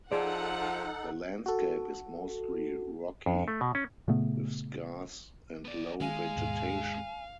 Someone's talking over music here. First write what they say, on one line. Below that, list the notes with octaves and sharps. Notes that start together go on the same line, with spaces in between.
The landscape is mostly rocky, with scarce and low vegetation.
F3 D#4 G#4 A4 D5 F#5
F#4 A4
F2
A3
B2
C#4
A#2 C#3 A3 B3
B3 D5
D#3 G#3 F5 G#5
D#2 G#2 B2